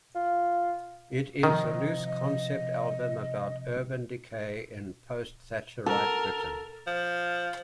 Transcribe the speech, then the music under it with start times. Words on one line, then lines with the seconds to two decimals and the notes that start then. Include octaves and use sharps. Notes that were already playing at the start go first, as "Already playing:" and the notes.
It is a loose concept album about urban decay in post-Thatcherite Britain.
0.15 F4
1.43 C3 D#3 F3 D#5
5.86 A4 A#4
6.87 F3